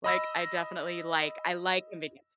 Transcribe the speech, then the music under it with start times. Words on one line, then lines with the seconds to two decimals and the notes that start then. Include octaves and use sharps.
Like I definitely like, I like convenience.
0.04 D#5 B5 E6 A#6